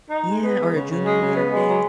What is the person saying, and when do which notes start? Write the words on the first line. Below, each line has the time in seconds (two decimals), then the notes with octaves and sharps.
yeah, or a junior year thing.
0.10 D#4
0.25 G#3
0.41 B3
0.58 G#3
0.73 C#3
0.89 C#3
1.05 G#3
1.21 C#3
1.35 B3
1.52 G#3
1.68 F#3